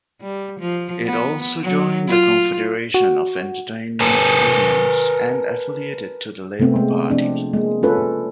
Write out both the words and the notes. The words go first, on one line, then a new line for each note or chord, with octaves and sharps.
It also joined the Confederation of Entertainment Unions and affiliated to the Labour Party.
G3
F3
B3
F#3
F4
F#4
A#4 B4 G#5 A5
C3 A3 B3 C4
G#3
F3 C4 D4
G#3 A#3
G#3 C#4 F4 A4 B4